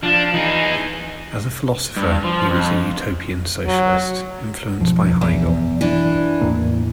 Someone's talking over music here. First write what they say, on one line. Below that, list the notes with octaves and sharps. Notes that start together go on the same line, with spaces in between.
As a philosopher he was an utopian socialist, influenced by Hegel.
F3 D4 F4
E3 D#4 G#4
G2
F3
F2
F#3
B1 F#2 F3
E2
E3 D4
E2 A2 A#3